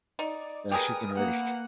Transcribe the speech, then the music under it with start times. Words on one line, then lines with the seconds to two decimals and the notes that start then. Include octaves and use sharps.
Yeah, she's an artist.
0.19 D#4 D5
0.72 G4 G#4 A#4 B4 D#6
1.15 A#3 F#5